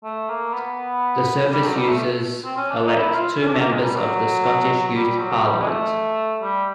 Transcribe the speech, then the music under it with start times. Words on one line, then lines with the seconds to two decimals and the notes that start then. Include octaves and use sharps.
The service users elect two members of the Scottish Youth Parliament.
0.04 A3
0.29 A#3
0.53 B3
1.51 G3
1.64 F#3
1.76 G3
1.88 A3
2.45 C4
2.57 C#4
2.71 D4
2.85 D#4
2.98 E4
3.14 F4
3.42 C#4
3.47 D4
3.53 A3
3.60 A#3
3.72 G#3
3.84 G3
3.96 F#3
4.87 F#3
4.94 G3
5.19 F#3
5.44 G3
5.61 G#3
5.67 A3
6.42 G3